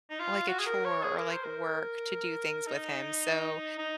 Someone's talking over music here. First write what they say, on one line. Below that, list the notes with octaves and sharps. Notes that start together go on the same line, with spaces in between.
like a chore or like work to do things with him, so,
D#4
F4
F#4
G#4
A#4
C#5
G#4
A#4
C5
A#4
D#4
D#4